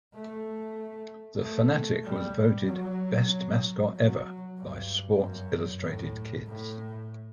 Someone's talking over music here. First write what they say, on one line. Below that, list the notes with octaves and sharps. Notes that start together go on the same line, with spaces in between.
The Phanatic was voted "best mascot ever" by "Sports Illustrated Kids".
A3
A3
G3
F#3
F#3
G2
F#2
A2
A2